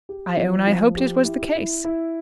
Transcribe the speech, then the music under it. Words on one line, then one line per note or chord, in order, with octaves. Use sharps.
I own I hoped it was the case.
G4
F3
F3
G4
E4
E4
E4